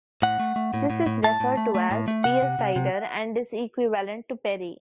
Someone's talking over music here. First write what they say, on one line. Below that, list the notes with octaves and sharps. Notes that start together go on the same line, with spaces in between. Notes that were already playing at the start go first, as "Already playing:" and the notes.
This is referred to as "pear cider," and is equivalent to perry.
A2 F#5
A3
A3
A2
A2
A2
A2 A5
A2
A3
A3
A2
A3
C3 F#5
C3
C3
C3